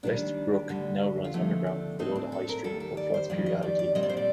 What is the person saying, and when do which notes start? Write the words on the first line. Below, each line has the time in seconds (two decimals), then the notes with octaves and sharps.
West Brook now runs underground below the High Street, but floods periodically.
0.03 D#2 D#3 G3 D4
0.68 D2 D3 G3
1.24 F4
1.34 D#2 D3 F3 A3 C4 D#4
1.67 D4
1.99 A2 A3 C4 D#4
2.16 D4
2.32 A4
2.49 A#4
2.64 D#2 D#3 G3 A4
2.80 A4
2.97 D5
3.14 C5
3.29 F2 D#3 G3 D5
3.46 D#5
3.63 D5
3.79 D5
3.95 A#2 G3 C4 D#5
4.03 D5
4.09 C5
4.17 D5